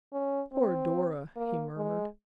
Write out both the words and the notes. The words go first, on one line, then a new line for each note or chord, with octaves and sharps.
"Poor Dora!" he murmured.
C#4
C4
A#3
G#3